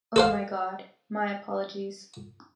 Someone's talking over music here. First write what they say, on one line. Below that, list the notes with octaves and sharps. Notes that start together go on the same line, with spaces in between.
Oh my God, my apologies.
A4 C5 F5